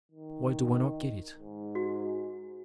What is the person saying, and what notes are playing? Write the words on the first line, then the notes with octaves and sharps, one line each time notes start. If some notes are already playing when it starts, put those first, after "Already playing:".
"Why do I not get it?"
D#3
G#2
F#4